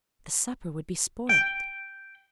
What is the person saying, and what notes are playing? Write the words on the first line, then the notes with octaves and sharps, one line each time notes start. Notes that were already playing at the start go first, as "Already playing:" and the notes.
The supper would be spoilt.
G5